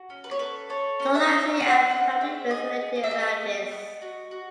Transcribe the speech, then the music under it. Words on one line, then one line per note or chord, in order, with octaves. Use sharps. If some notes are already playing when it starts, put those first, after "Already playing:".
Tulasi and family feels elated about this.
Already playing: F#4
C#4
B4
C#5
A4 B4
A4 C#5
C#4
E5
C#4
C#4 F#5
C#4 F#5
G#4 E5
G#4 D#5
G#4
D#5
E5
G#4 D#5
B3
B3
F#4
F#4